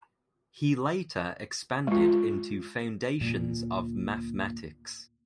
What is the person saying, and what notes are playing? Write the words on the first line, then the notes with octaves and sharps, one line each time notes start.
He later expanded into foundations of mathematics.
G#3 F4
D2 A#2